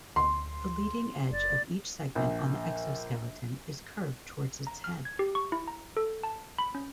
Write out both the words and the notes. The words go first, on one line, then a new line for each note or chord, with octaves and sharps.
The leading edge of each segment on the exoskeleton is curved towards its head.
D2 C6
F#1 D5
A#1
A#5
F6
G#6
G4
C#6
E4
A#5
A4
A5
B5
C#4